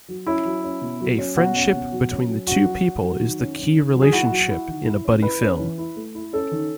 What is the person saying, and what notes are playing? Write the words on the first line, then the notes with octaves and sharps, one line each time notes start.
A friendship between the two people is the key relationship in a buddy film.
F#3
C#4 E4
F#3
C#4
B2
F#3
C#4
B2 F#4
C#4
B2
F#3
C#4
F#3
C#4 F#4
F#3
F#3
F#3
D#3
C#4
C#4
D#3
F#3
G#4
E4 F#4
F#3
E4
D#3
E4
C#4
E4 B4
C#4
E3
E4
A3
E4
C#4 A4
D#3